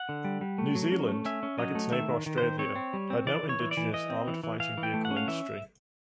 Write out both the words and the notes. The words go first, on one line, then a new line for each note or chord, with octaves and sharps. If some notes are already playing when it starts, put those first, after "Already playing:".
New Zealand, like its neighbour Australia, had no indigenous armoured fighting vehicle industry.
Already playing: F#5
D3
G3
G3
A3
F#3
C#4
A3
C#4 E5
C#4
F#3 D#5
A3
D#3 E5
D#3
D#3
D#3 C5
C4 C#5
C4
G3
C4
E3 D5
E3
C#5
E3
D5
E3
E3 D#5
C4
E3
E3
E3 F5
E3
G5
A3
F#5
C#4
F5
E3 E5